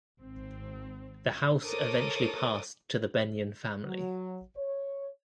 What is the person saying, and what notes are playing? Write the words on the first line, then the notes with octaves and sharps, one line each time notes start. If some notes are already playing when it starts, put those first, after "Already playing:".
The house eventually passed to the Benyon family.
G#1 C4
A4 A#4 C5 C#5 D6 D#6
F#3
C#5